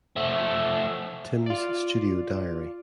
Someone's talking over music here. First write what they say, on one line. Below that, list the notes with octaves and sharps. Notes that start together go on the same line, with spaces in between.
Tim's Studio Diary.
F3 A3
F4 D5